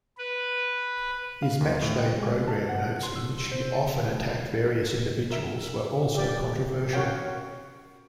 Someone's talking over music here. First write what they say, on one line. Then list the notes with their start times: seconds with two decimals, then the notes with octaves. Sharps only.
His match-day programme notes, in which he often attacked various individuals, were also controversial.
0.18 B4
1.42 F5
1.61 D#2
1.82 A2
2.00 G5
2.18 G#3
2.48 A5
2.69 F#5
3.03 C6
3.16 E6
3.51 C5
3.75 A5
4.04 A2
5.30 A#4 E5
6.15 G4 D5
6.93 C#4 F#4 A#4 C#5 F5 G5